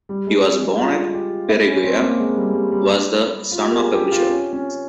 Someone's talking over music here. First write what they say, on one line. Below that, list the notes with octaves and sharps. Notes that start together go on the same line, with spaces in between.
He was born at Perugia, was the son of a butcher.
G3
G#3
G3
G#3
F4
G4
E4
C#4
C4
A#3
G#3
G3
G#3
G3
G3
F4
G4
A#4
G#4
G4
F4
C#4
C#4